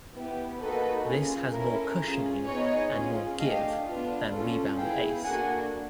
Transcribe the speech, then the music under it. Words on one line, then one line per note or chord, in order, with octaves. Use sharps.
This has more cushioning and more "give" than Rebound Ace.
B3 E4 G4
A#3 D#4 F#4 A4 B4
C#4 F4 G#4
C#4 E4 A4 A#4
C#4 F4 G#4
B3 D#4 G#4 C#5 D#5
C#4 F4 G#4
A3 D4 G4 D#5 F5
B3 D4 F4
C#4 F4 A4
B3 E4 G#4 F5 G5
A#3 D4 F#4 A4 F#5 G#5